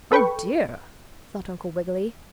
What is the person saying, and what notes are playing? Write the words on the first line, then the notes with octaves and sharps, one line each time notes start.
"Oh, dear!" thought Uncle Wiggily.
A4 B4 G5 B5 C#6